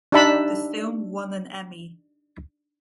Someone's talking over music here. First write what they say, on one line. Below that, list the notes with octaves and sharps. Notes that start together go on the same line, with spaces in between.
The film won an Emmy.
D4 D#4 G4 E5 A5 B5